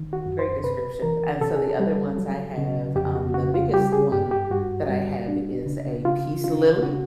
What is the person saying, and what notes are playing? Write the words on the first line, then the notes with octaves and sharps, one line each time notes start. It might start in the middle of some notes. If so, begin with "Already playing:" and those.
Great description. And so the other ones I have, um, the biggest one that I have is a peace lily,
Already playing: D#3
F#4
F#2
C5
C3 B4
E3 A#4
C3 A4
G#4
A4
G3
F#3
C#3
F2 G4
F#4
C#3 F#4
F4
G3 G4
G#4
G2 G4
G4
G2 F#4
G3
D4
C#3
C#3 F4
D4 F4
C#3 F#4